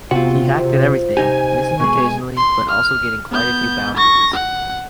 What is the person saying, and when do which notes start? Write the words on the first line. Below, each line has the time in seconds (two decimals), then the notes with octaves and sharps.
He hacked at everything, missing occasionally, but also getting quite a few boundaries.
0.11 C3 B3 F4 F#4
0.59 C5
1.17 C3 D#4 G4 G#5
1.80 B2 G#3 C#6
2.37 C6
2.69 F6
3.31 B3 G6
3.97 C#6 A#6
4.34 F#5